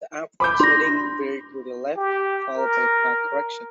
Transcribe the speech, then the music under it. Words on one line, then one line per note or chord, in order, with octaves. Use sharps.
The airplane's heading veered to the left, followed by a track correction.
B5 D6 G6
D4 C6 A#6
G4
A#4